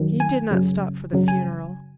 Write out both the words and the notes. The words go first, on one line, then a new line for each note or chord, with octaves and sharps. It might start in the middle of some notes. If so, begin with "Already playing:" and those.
He did not stop for the funeral.
Already playing: F#2 D#3 F#3
G#5
F#2 C#3 F#3
F#2 C#3 F#3
G#5